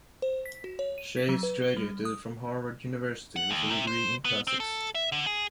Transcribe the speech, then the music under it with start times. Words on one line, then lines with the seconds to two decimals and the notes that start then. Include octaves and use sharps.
Chace graduated from Harvard University with a degree in Classics.
0.22 C5
0.46 B6
0.64 F#4
0.79 C#5
0.98 D#7
1.17 B6
1.29 F#3
1.43 B4
1.62 G7
1.76 G3
2.05 D#6
3.36 F#5
3.50 D#2
3.71 C3
3.87 C5
4.25 B3
4.47 C4
4.60 A4
4.95 E5
5.12 D3
5.26 G#4